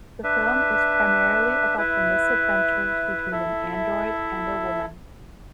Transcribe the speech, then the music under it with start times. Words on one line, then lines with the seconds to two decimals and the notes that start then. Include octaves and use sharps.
This film is primarily about the misadventures between an android and a woman.
0.23 D4 B4 E5
1.77 E4 B4 E5
3.31 E4 A4 E5